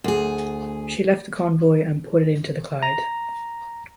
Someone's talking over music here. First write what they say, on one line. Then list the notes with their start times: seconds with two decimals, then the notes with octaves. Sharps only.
She left the convoy and put in to the Clyde.
0.04 D2 G#4
2.83 A#5